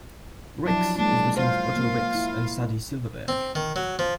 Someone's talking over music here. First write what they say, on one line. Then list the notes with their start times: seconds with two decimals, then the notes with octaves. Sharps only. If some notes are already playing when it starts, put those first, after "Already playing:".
Rix is the son of Otto Rix and Sadie Silverberg.
0.66 F3 F#3 D4 E4
0.97 G#3 A#3 D4 E4
1.37 F4 C5 F5
1.76 A#3
2.15 E4
3.28 C4
3.55 D#3
3.76 F#3
3.99 F3